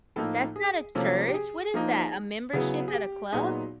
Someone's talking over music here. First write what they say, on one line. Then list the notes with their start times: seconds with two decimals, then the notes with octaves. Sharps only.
That's not a church, what is that, a membership at a club?
0.16 A2 F3 A#3 D#4 A4
0.56 G#4
0.95 C3 F3 A#3 C#4 A4
1.28 G4
1.34 G#4
1.74 F3 A#3 D#4
2.53 C#3 F#3 B3 E4 G#4
2.88 G#4
2.93 G4
3.32 A#2 F#3 B3 D#4 G#4